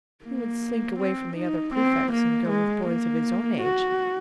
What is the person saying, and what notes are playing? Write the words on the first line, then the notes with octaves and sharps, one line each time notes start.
He would slink away from the other prefects and go with boys of his own age.
A#3
C4
D#4
C4
A#3
G#3
A#3
F#4